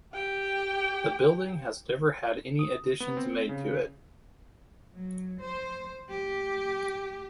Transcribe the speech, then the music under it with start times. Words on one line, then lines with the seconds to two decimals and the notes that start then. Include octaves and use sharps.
The building has never had any additions made to it.
0.13 G4 G5
2.59 D#6
3.00 B3
3.17 C4
3.49 C#3
4.93 F#3
5.40 C5
6.09 G4